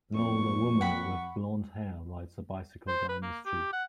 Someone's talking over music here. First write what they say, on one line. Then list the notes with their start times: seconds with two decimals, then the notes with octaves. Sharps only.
An older woman with blondhair rides a bicycle down the street.
0.15 F2 A#2 C#6
0.81 F#5 B5
2.88 C5
3.09 B4
3.22 A#3
3.46 G4
3.73 F#5